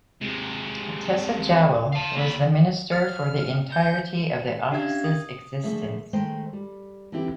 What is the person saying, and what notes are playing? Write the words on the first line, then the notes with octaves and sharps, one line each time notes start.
Tessa Jowell was the Minister for the entirety of the office's existence.
C3 G#3
F5 A5
D#2 B5
F6
G6
C#4 D4 G4 E5 F5 G#6
D#6
D3 F3 A3 A#3 G#4 E5
D#3 G#3 A3 C5 D#5 G5
G3
D3 E3 C4 E4 G4